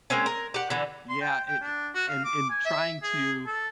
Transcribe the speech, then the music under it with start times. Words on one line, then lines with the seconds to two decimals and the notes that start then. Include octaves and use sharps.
yeah, i i and in trying to,
0.10 G#3 A#3 C4 C#4
0.26 A#4
0.54 G4 F#5
0.70 D3 E3
1.09 C6
1.21 G5
1.48 G5
1.62 D4
1.94 F#4
2.08 F5
2.25 D6
2.50 G#5
2.65 E5
3.02 G#4
3.46 A4